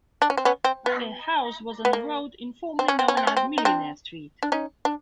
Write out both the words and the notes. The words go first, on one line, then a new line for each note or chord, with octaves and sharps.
Their house was on a road informally known as "Millionaire Street".
D4
C#4
C4
B3 C#4
C4
B3
B3
A#3
C4
C#4
C4
C#4
C4
C#4
C4
D#4
C4 D4
D4
C#4 D#4
D4